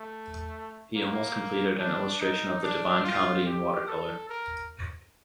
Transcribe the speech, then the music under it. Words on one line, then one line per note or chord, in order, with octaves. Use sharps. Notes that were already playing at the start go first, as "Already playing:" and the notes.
He almost completed an illustration of the "Divine Comedy" in watercolor.
Already playing: A3
A#3
D4
D#4
D4
F4
G4
A4
A#4